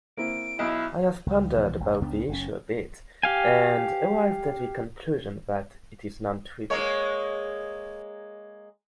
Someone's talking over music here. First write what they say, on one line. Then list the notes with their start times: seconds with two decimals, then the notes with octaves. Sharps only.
I have pondered about the issue a bit and arrived at the conclusion that it is non-trivial.
0.17 A#3 C4 E4 D7
0.59 B1 E4 D#5
1.26 C#2
1.55 C2 B2 E3 F3
1.80 F1 E2
2.02 C#2 C#3 B3 D4
2.29 F#1 C#4
3.23 G4 F5 G#5
6.70 G#3 A#3 C#5